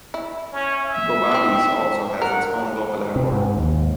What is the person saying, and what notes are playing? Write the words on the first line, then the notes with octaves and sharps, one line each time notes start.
Gobabis also has its own local Airport.
E4
C#4
E5
E3 C4
A#4 F#5
C3
G#2
D#2